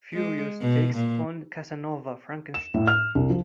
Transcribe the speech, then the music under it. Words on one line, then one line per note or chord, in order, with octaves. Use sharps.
Furious takes on Casanova Frankenstein.
G#3
B2
A#2
E7
A2
F6
C2
F3